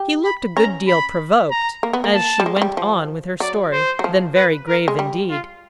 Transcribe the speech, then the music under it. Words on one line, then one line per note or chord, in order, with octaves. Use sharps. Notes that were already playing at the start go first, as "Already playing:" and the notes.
He looked a good deal provoked as she went on with her story; then very grave indeed.
Already playing: G4
B5
C#4 A#5
B5
A#5
A#3
B3
A#3
A5
G3
G#3
G#3
G3
F3
F#3 D5
C5
F#3
F3
B4
A#4
G#3
G3
F4